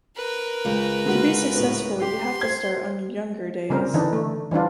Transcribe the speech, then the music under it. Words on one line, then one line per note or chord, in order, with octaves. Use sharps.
To be successful you have to start on your younger days.
A#4 B4
C#2
D3 G#3 F#4
A2 B3
G4 C6
C5 G#6
C#3 G3 C4 A#4
D3 E3 D4 D#4
A3
E3 G3 D4 F4